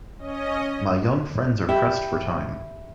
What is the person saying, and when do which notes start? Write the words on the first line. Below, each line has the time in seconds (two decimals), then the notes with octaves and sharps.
My young friends are pressed for time.
0.19 C#4 D#5
1.69 E4 G4 E5